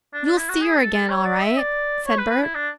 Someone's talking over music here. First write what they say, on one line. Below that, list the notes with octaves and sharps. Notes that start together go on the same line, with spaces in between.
"You'll see 'er again all right," said Bert.
D4
D4
E4
F#4
G#4
A4
A4
C#5
D5
E5
D5
C#5
B4
B4
E4
D4